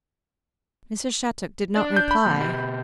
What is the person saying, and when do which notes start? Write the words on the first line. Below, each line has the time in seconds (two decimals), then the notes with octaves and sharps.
Mrs. Shattuck did not reply.
1.76 D4 D5
1.97 G6
2.11 B5
2.26 F2 A#2
2.39 B2 G4